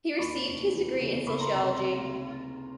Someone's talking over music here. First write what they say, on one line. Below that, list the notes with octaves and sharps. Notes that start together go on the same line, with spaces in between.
He received his degree in Sociology.
D#2 B5 C#6
F1
E3
C#3
C#2 B5 C#6
A#5 C6
C3 A#5 C6